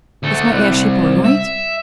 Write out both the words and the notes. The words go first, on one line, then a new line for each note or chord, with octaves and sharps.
"Is my airship all right?"
D2 A3
C2
E5